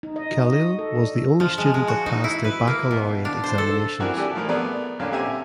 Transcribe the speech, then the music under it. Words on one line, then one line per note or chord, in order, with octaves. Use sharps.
Khalil was the only student that passed their baccalaureate examinations.
D#4
D#5
F#4
D#5
A4
D4
F3
G#3
G#3
F#4
D#4
E4
B4
A#3
B2
D4
C5
A4
E3 C4 D4 E4 F#4 A#4
E3 G4 A4 D5
E3 F3 A3 A#3 A#4
A3 B3 G#4 A#4 D5
F2 A#2 D3 C#4 D4 F5
C4 G4 A4 E5 G#5 A#5